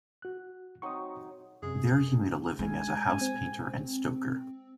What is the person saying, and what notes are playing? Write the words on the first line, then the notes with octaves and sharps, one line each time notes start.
There he made a living as a house painter and stoker.
F#4 F#6
F#3 C4 D#4 C#6 D#6
F#2 C3 G#4
G#3 G#5
C4